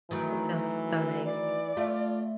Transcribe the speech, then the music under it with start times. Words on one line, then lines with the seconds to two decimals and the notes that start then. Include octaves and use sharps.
It feels so nice.
0.11 D#3 E3 F#3 A3
1.24 E3 D5
1.77 A3 F4